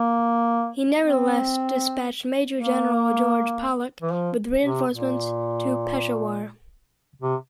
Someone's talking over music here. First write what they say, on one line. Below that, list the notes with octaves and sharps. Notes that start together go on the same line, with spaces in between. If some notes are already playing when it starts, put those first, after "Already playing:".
He nevertheless dispatched Major General George Pollock with reinforcements to Peshawar.
Already playing: A#3
C4
A#3
E3
F3
C3
A#2
C3